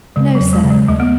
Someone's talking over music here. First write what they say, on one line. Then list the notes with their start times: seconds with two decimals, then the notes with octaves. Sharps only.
"No, sir."
0.16 C#3 G#3
0.35 F#3
0.40 E1
0.53 G#3
0.64 C#3
0.70 G#3
0.88 D#2 A3
1.00 B3